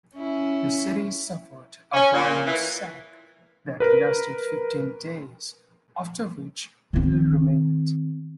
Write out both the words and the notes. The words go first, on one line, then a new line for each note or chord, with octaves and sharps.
The city suffered a violent sack that lasted fifteen days, after which little remained.
C#4 E4
C#4
A#2
E3
A#4 B4
D#3 C4